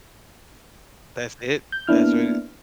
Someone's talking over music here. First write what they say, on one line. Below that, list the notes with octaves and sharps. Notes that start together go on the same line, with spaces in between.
That's it? That's really
G6
A#3 B3 D4 E4 F6